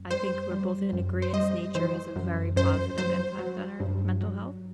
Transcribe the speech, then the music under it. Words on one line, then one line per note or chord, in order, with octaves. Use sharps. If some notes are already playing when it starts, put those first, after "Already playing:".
I think we're both in agreeance, nature has a very positive impact on our mental health,
Already playing: F#2
G3 C5
G3
F#2
C5
G3 D#5
E3 C5
F#2
F#2 C5
F#3 C5
F#3
G2
F#3